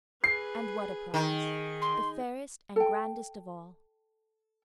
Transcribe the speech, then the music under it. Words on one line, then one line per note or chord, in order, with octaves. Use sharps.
And what a prize, the fairest and grandest of all!
G#4 B4 C7
D#3 G#4
C6
A4 G5